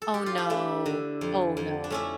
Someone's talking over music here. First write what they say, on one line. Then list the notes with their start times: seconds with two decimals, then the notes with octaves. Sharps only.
Oh, no. Oh, no.
0.02 A4
0.14 G4
0.26 F4
0.38 E4
0.50 A3 D4
0.86 D3
1.21 F2
1.57 F2
1.84 D4
1.90 A3 C#4 E4